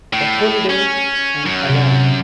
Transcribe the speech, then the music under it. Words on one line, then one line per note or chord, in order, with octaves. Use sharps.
A holiday, and alone!
A2
C#4
F#2
C3